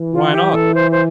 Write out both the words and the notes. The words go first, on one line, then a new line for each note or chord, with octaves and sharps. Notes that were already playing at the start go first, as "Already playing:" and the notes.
"Why not?"
Already playing: E3
F4
G4
A4
C5
C5